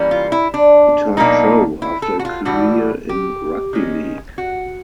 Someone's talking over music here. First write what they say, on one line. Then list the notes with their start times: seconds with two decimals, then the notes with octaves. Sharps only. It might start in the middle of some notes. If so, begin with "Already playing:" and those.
He turned pro after a career in rugby league.
Already playing: E3 G3 A#3 C#4
0.11 F4
0.32 E4
0.54 D4
1.17 B2 F#3 A#3 D4 D#4
1.82 E4
2.02 A4
2.19 F#4
2.25 F4
2.45 A2 E3 G3 F#4
3.09 G4
3.73 D#3 G#3 C#4
4.38 F#4